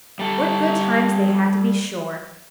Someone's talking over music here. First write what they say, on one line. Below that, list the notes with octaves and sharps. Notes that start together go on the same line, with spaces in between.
What good times they had, to be sure.
G3 A4